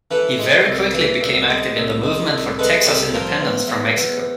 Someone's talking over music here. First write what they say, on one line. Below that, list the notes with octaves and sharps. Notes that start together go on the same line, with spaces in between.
He very quickly became active in the movement for Texas independence from Mexico.
E3 A4 B4
G#3
C2
E3
C2
G#3
C2
G#3
C2
G#3 A4 B4
C2 G4 A4
F3 A#4 C5
E2
E2
E2